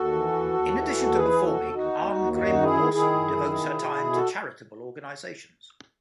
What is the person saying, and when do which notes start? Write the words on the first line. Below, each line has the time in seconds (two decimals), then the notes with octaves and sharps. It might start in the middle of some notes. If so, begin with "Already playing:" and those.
In addition to performing, Arngrim also devotes her time to charitable organizations.
Already playing: D#2 F#4 A4
0.13 E3
0.33 D#2
0.53 D#2
0.73 E3
0.93 D#2
1.13 E3 G#4 B4
1.33 D#2
1.43 F#4 A4
1.53 D#2
1.73 D#2 D#4 F#4
1.93 D#2
2.13 D#2
2.33 F#2 D#4 F#4
2.53 D#3
2.63 E4 G#4
2.73 D#3
2.93 D#3 E4 G#4
3.13 F#2
3.33 D#3
3.53 B2
3.73 B2
3.93 B2
4.13 F#4 A4